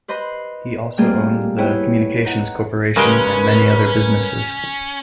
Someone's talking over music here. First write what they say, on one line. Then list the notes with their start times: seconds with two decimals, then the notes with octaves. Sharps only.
He also owned The Communications Corporation and many other businesses.
0.08 B4 C5 D#5 B5
0.98 G3 A3 A#3 C4 F4 G#4
1.58 B3 E4 G#4 B4 C#5 G5
2.25 D#4 F#5
2.96 C#3 G3 G#3 C#4 A#4 B4 G5 A#5